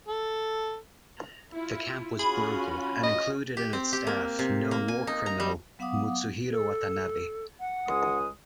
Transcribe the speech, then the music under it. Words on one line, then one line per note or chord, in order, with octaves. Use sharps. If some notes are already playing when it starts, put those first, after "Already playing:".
The camp was brutal and included in its staff known war criminal Mutsuhiro Watanabe.
A4
E4 F4
C#4 F4 F#4 G#4 B5
D#5
G4
C4
G4
A#3
C3
A#3
G#5
D#4
A#5
G3
F#3 B3 F5 F#5 D6 D#6
A4
F#5
C#2 G#3 D#6